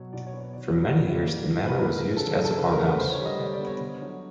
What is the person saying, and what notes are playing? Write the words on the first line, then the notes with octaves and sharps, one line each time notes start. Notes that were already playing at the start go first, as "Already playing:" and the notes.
For many years the manor was used as a farmhouse.
Already playing: B2 F#3 C#5
B2 D5
C#5
B3
C#5
D#3 D5
G3
C#5
C#4 D5
A#3
A#2
F3
B4
A#2 A#4
G#3
C#3 A4
F#3
A4
C#3 B4
A#4
A3
B4
D3 C5
C#5
G3
D#5
D3 D5
D5
B3
C#5
D3
F#3